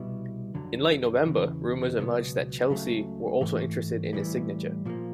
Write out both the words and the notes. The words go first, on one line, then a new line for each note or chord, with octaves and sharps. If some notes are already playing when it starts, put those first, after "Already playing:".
In late November, rumours emerged that Chelsea were also interested in his signature.
Already playing: C2 B2 G3 B3 E4
F2 D3 F#3
E2 C#3 E3
C#2 B2 F#3 B3
C#2 C#3 F#3 A3
G#2 E3 A3
A2 E3 G3
A#2 F3 A#3